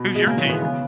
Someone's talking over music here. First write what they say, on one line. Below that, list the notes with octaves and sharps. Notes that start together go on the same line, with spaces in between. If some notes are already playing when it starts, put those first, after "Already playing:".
Who's your team?
Already playing: B2
G#3
C#3 A#3
D#3 F#3
E3
G#3 B3
C#3